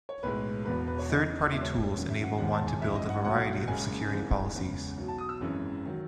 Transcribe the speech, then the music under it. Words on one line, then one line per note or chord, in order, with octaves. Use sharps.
Third-party tools enable one to build a variety of security policies.
C#5
B1 A2 G#3 B4
E1 E2 B2 B4
B4
C#5
E2 C#3 E3 D#5
E1 E2 B2 G#3 E5
C#5
C#5
C#5
F#1 F#2 D#3 F#3
E5
F#5
E1 D#2 D#3 G#3 F#5
A5
G#5
A1 G#2 E3 E5
D#5
F#5
B1 A2 F#3 F#5
F#1 F#2 C#3 G#3 G#5
G#1 G#2 E3 G#3
E2 C#3 G#3
B1 B2 F#3
A5
D#6
E6
G#1 F#2 E3 G#3
D#3 F#3